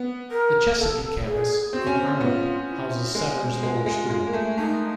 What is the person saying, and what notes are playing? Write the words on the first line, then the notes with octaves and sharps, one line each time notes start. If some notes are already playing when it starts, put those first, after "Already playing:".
The Chesapeake Campus in Arnold houses Severn's Lower School.
Already playing: B3
A#4
A4
G#4
C4 F#4
C#4
C4
B3 F4
E4
G#3
G#3 F4 F#4
G#3
G#3
A#3
A3
A3 D#4